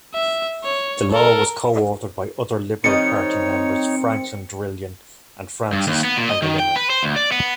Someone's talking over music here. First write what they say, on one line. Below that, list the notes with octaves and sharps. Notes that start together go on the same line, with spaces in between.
The law was co-authored by other Liberal Party members, Franklin Drilon and Francis Pangilinan.
E5
C#5
A4 A#4
D#3 G3 C4 D#4 C#5 D#5 C#7
G2
D#2
B3
A#2
D#5
D#3
G5
B4
C5
D2
D5
B3